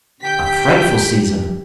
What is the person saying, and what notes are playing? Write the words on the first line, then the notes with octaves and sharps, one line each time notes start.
A frightful season!
D3 G4 G5 G6 B6